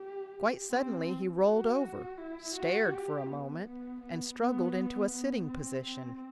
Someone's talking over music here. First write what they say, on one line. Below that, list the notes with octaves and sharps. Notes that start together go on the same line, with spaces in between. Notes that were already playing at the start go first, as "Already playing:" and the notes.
Quite suddenly he rolled over, stared for a moment, and struggled into a sitting position.
Already playing: G4
C4
F#4
E4
F#4
G4
B3
B3
B3
B3
B3
C4
C4